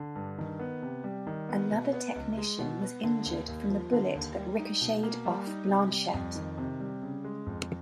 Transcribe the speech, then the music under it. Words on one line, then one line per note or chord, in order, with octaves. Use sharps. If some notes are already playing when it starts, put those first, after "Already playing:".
Another technician was injured from the bullet that ricocheted off Blanchette.
Already playing: D3
G2
D#3
B3
C3
G3
D#3
B3
B2
B3
C#2
G#3
B2
B3
D3
D#2
D#2
F3
D3
D#2
G3
D#4
B2
A#3
G3
D#4
C3
G3
F2
D#3
C3
G3
C#3
G#3
F2